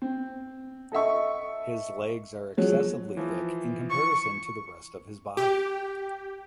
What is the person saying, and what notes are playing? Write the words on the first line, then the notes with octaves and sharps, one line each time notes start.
His legs are excessively thick in comparison to the rest of his body.
C4
A4 D#5 E5 C#6
F3 F#3 G#3
E3 F3
C#6
G4